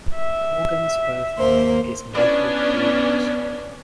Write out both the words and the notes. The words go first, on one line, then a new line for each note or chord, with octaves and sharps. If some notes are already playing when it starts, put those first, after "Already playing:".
Colgan's birthname is Michael Hughes.
E5
D#2 A#3 C5
B3 C#4 D4 E4 D5